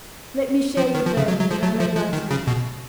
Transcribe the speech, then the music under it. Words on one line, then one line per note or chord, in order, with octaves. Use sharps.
Let me share your burden that I may lighten it.
F3
D#3
F3
C#3
F#3
F#3
F3
F#3
F3
F3
D#3
C#3
B2